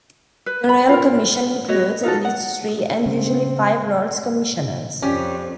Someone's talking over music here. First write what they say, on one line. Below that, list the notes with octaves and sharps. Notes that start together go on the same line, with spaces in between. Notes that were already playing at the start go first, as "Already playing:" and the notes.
The Royal Commission includes at least three-and usually five-Lords Commissioners.
B4
B5
F4 A#4
F#4 B4 C#5 D#5
D#4 F4 F#4 A4
F#5
C#3 C4
F2 C#4 G4 D5